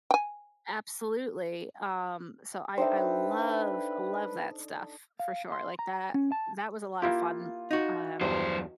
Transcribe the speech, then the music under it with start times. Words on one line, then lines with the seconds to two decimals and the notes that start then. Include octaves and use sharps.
Absolutely, um, so, I I love, love that stuff, for sure, like that that was a lot of fun, um,
0.11 G5 G#5
2.78 D4 D#4 A4 B4 C5 E5 G5
5.20 F5
5.52 C6
5.79 A#5
6.14 C#4
6.32 A5
7.02 A#3 E4 F4 G4
7.71 D#4 F#4
8.21 E2 G2 F#3 C5